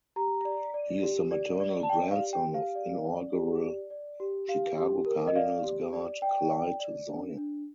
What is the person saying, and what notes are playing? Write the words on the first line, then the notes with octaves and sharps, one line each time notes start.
He is the maternal grandson of inaugural Chicago Cardinals guard Clyde Zoia.
G4 A#5
D5
D5
G4
D5
D5
A5
D5 G5
F5
G4
G5
G4
F5
D5
D5
G4
D5
D5
G4
G4 F5
G4
A#4
D#5
D5 F5
G4
D5
D5 G5
D5
D5
D4
D4